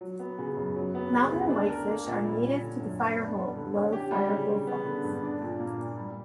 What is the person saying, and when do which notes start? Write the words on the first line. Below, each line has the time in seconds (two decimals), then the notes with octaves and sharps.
Mountain whitefish are native to the Firehole below Firehole Falls.
0.01 F#3
0.20 B3
0.39 C#3
0.57 F#2
0.76 F#3
0.95 B3
1.13 C#3
1.32 D2
1.50 D4
1.69 A#4
1.88 A#3
2.06 A#2
2.25 G3
2.43 C#4
2.62 D3
2.80 F#2
2.99 B3
3.18 D4
3.37 G3
3.56 D3
3.74 C#4
3.93 G4
4.11 G3
4.30 C#3
4.48 G3
4.67 B3
4.85 D3
5.04 G2
5.23 D4
5.41 A#2
5.60 A#3
5.79 A#2
5.97 G3